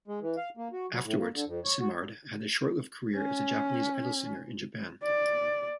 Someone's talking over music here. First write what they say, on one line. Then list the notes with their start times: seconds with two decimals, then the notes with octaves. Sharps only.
Afterwards, Simard had a short-lived career as a Japanese idol singer in Japan.
0.08 G#3
0.22 E3
0.37 F5
0.57 A#3
0.73 F#4
0.92 F#3
1.04 A2
1.19 A#3
1.34 D3
1.47 F2
1.64 C#5
1.80 F#4
3.16 C#4
5.04 D5